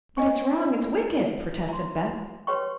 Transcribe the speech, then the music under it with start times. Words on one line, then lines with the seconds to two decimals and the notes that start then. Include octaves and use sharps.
"But it's wrong--it's wicked!" protested Beth.
0.17 D#5 G#5 C#6
1.69 A#5 C6
2.47 G4 B4 C#5 G5 C6 C#6